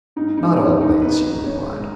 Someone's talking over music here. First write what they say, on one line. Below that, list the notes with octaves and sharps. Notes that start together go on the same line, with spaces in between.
"Not always," he replied.
G#2 D#4
G#3 D#4
G#2 C#4
D#3 D#4
D#3 B4
G#2
D#3 C#5
G#3